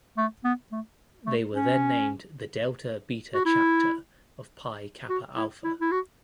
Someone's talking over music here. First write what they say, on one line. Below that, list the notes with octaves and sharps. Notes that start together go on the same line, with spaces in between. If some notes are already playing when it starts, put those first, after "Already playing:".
They were then named the Delta Beta Chapter of Pi Kappa Alpha.
A3
B3
A3
A3
C#4
F#4
E4
F#4
E4
E4
E4
F#4